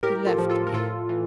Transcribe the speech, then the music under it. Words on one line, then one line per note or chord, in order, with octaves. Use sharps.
He left me.
A2 G4 A#4
F4 A4
F3
F4 A4
A#4
A2 F4 A4
E3